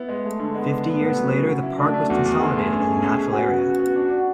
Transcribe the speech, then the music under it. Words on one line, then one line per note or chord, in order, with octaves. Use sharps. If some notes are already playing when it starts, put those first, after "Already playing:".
Fifty years later the park was consolidated as a natural area.
Already playing: B3 E4
G#3
G#3 A3
D3
G#3 B3
D4
A3 B3
A2
F#3
C#4
F#3
E4
A3 D4
A3
E2 F#4
E2
D3 G#4
A3
C#4
B2
C#4
C#4
B3 F#4
C#3
C#3
B3
D4
D4